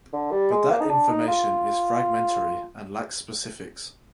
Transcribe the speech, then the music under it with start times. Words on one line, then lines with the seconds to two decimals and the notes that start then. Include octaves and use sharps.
But that information is fragmentary and lacks specifics.
0.13 D3
0.31 G3
0.51 G#3
0.71 A#3
0.81 D#4
0.90 D4
1.10 D#4
1.28 F4